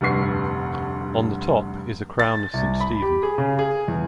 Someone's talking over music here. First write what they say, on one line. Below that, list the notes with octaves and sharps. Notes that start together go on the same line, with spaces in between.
On the top is a Crown of Saint Stephen.
F1 D2 G2 B4 C#6 C7
A6
C2
B5
G4
G#4
C#3
G#4
E2